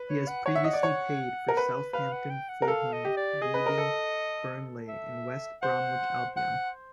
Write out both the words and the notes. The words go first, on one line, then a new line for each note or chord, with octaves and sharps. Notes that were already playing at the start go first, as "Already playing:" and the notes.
He has previously played for Southampton, Fulham, Reading, Burnley and West Bromwich Albion.
Already playing: B4
C#5
F#5
C#5 F#5
E5
D#5
D5
C#5
A#4
B4
B4 F5
F#5
G5
F#5
A#4
A4 F5
D#5
G4
D5
G#4 D#5
B4
A#4
A4
E5
C5 F#5
F#5